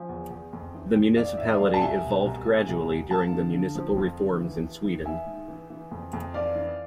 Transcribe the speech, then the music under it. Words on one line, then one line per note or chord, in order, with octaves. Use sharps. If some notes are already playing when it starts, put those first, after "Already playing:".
The municipality evolved gradually during the municipal reforms in Sweden.
Already playing: F3 G#5
E2
E2
F2
E3
F2
F2 D5 F5
E3 E5
D5 F5
F2
A5
C2 E5 G#5
B2
C2
C2
C2
C2
F2 F5 A5
D3
D3
F3
F2
D3
E3
E3
E3
E3 E5 G#5
G#2
E3
E3
F2
F2
E3 D5 F5
E3